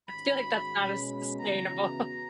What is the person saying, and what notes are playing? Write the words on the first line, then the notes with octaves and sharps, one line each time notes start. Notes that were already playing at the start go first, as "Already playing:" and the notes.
feel like that's not as sustainable,
G#2 D#3 G#3 C#4 F#4 B5
B2 G#3 C#4
E2 C#3 E3 B3 F#4 A#5